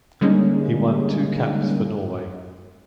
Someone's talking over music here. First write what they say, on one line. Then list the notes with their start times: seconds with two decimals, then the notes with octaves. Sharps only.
He won two caps for Norway.
0.21 D3 G3 G#3 A#3 C#4 D#4